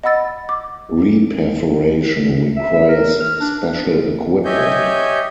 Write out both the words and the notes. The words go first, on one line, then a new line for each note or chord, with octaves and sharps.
Re-perforation requires special equipment.
D#5 F#5 B5 E6 A6
D6
E5
E5
A#4
F6
D4
G4 C#5 D#5 E5 G#5 G6